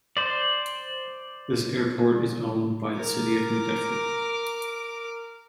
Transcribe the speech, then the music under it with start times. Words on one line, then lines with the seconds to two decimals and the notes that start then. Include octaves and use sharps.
This airport is owned by the City of New Bedford.
0.17 C5 D5
2.97 A#4 D6